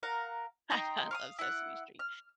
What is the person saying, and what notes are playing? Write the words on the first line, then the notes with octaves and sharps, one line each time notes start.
I I love Sesame Street.
A#4 F5 F#5 A#5
D#4 G5 A#5 C6
F5 C#6 D#6
E4 F#5
F6